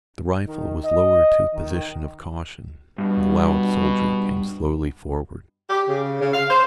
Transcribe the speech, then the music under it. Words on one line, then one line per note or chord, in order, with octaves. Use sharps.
The rifle was lowered to a position of caution and the loud soldier came slowly forward.
D#3
D#5
D#3
G2 B2
G4
C#3
C#3
F5
C5